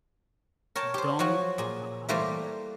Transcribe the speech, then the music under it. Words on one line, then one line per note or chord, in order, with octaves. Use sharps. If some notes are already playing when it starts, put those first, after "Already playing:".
don't" how how do I put that?
A#4 C#5 G5 A5
G4 C5
F3 F#3 F#4 C#5
A#2 G#4
E3 G3 A3 A#3 C5 D5